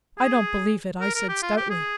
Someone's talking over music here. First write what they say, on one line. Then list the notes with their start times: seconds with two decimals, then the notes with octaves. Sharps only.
"I don't believe it," I said stoutly.
0.18 G#4
1.01 A#4
1.15 A#4
1.29 G4
1.42 F4
1.57 G4
1.70 G#4